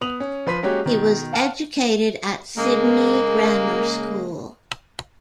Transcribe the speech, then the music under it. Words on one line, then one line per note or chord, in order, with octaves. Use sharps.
He was educated at Sydney Grammar School.
B3 D#6 F7 F#7
C#4
F3 B4 C6 B6
G#3 A#3 C#4 F#4 G4 C#5
B2 D#3
F5 F#5 A5 F6
C#3 G#3 A#3